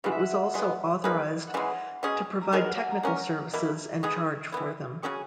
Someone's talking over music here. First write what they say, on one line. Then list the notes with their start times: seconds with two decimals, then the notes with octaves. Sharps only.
It was also authorized to provide technical services and charge for them.
0.04 C#3 E3 G#3 F#5
0.12 E5
0.19 F#5
0.54 B2 G#3 B3
1.04 A#3 D#4 G#4 B4
1.47 F#5
1.54 C#3 E3 G#3 G#5
2.03 B2 G#3 C#4 G#4
2.41 A#5
2.53 B2 G#3 D#4 A#4 G#5
2.66 F#5
2.78 G#5
2.91 A#5
3.03 A#3 C#4 F#4 A#4 A#5
3.53 B2 A#3 E4
4.03 G#3 B3 D#4 G#4 D#6
4.52 E3 B3 E4
5.02 C#3 F#3 C#4 G#4 C#6